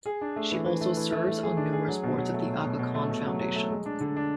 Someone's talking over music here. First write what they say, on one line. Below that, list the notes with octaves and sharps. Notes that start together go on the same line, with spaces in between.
She also serves on numerous boards of the Aga Khan Foundation.
G#4
D4
A3
E3
E3
A3
E3
A3
A3
G#4
D4
G#4
F#3
B2
F#3
A3
B2
B2
B2
A3
B2
F#3
F#3
A3
G#3
D4
D3
D4